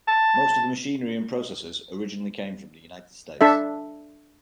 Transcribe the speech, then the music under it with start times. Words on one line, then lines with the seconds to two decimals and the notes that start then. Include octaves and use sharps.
Most of the machinery and processes originally came from the United States.
0.07 A5
3.41 D4 A4 E5